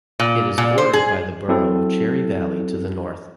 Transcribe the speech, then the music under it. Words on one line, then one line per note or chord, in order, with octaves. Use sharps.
It is bordered by the borough of Cherry Valley to the north.
A#2
A#2
C5
G#4
F#3 C4 E4 A4